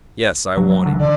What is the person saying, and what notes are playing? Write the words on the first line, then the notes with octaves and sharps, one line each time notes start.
"Yes, I want him!"
F#3
F#3
D3
E3
D3 D5